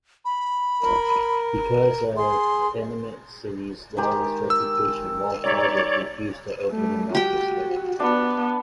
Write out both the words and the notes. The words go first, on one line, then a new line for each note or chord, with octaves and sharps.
Because of Panamint City's lawless reputation, Wells Fargo refused to open an office there.
B5
A#4
G#4 C6
D#3 G#3 G4
E6
G3 D#4 C#5 D5 E5
G3 A3
F#4 G4 G5
B3 D4